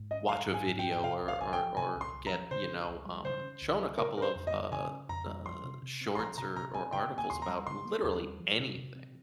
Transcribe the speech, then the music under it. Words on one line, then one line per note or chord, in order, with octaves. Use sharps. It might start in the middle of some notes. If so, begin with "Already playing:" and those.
watch a video or or or get, you know, um, shown a couple of, uh uh, shorts or or articles about literally anything
Already playing: G#2
C#4 D#5
G3 F5
G#2
G#5
G#2
G5
C#4
G5
C3 F5
C2
F5
C2 G#5
G5
F3
C3 G#5
C2
C6
C2
A#5
F3
C#3 C5
C#4
C#2
G3
C#3 C5
C#4
C#2
G3
C#3 A#4
C#4 A#4
C5
F2
D#5
G3
C#3 G#5
C#4
F2 A#5
G3
F3 C6
C3
C3
C4
C6
F3 A#5
C3 A#5
C3 A#5
C4 G#5
C#3 G5
A#3
G#5
D#2 C6
A#5
G3
C#3 C6
A#3
D#2
G3
F3
C3
C3
C4